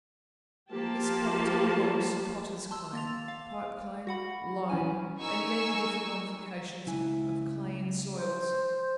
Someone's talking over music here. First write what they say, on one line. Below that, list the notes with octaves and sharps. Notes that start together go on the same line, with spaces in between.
This property belongs to potters' clay, pipe-clay, loam, and many different modifications of clay in soils.
F3 A#3 G4 A5
A5 C6 E6
A#3 A6 F7
F5
F#4 F#5 B5
E3 C#4 E4 G#5
D#4 A#4 G#5 C#6 E6
C#2 E4 G#5
C5